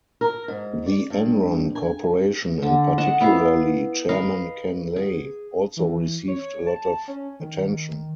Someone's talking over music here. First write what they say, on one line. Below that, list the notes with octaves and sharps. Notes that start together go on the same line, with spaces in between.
The Enron Corporation, and particularly Chairman Ken Lay, also received a lot of attention.
A#4
G#2
D5
G2
G#5
D3
D#5 F#5 A5
B3 E4 F5
A#4 B4 D#5 F5
G#4
E3
C#5
A5
C#4
D#3